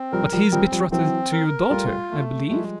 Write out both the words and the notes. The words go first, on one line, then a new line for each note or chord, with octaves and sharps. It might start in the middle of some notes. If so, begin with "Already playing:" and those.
"But he is betrothed to your daughter, I believe?"
Already playing: C4
F3 G3 A#4
F3 G3
F3 G3 C4
F3 G3
E3 F#3 C4
A#4
G3 A3 F4
A3
F3 G3 G#3